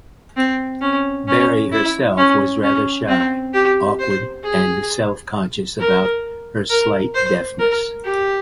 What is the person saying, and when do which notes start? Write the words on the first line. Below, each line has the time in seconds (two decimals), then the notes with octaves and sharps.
Barry herself was rather shy, awkward and self-conscious about her slight deafness.
0.37 C4
0.81 C#4
1.28 C#4
1.72 E4
2.18 C#4
2.63 C#4
3.09 C4
3.54 G4
3.99 C5
4.43 G#4
5.80 A#4
6.70 A#4
7.15 C5
7.60 A#4
8.05 G4